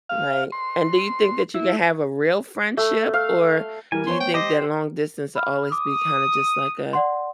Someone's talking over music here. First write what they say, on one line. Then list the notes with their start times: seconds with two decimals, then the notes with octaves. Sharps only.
Right, and do you think that you can have a real friendship, or do you think that long distance will always be kind of just like a,
0.09 F5
0.52 C6
1.55 E4
2.77 A3
3.14 F5
3.92 E3 G3 A#4 G#5
4.07 B3 C5 C#5 C6
4.20 G5
4.34 G4 C5 D#5 D6
5.36 B5 F6
5.72 D6 D#6
6.93 D5 F#5 C6